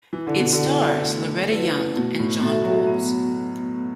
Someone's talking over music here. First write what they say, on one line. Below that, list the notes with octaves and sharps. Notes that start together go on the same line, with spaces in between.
It stars Loretta Young and John Boles.
E3 E4
D3
B2
D3
D5 F#5
A3
E4 B4
B2 A3
A2
B2 F#4 A4 E5
F#3
B3